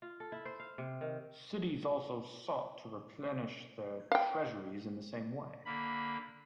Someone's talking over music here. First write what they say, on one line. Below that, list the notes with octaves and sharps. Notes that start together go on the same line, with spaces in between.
Cities also sought to replenish their treasuries in the same way.
F4
A4
E4
C5
F5
C3
D#3
F5 G5
D3 A#3 B5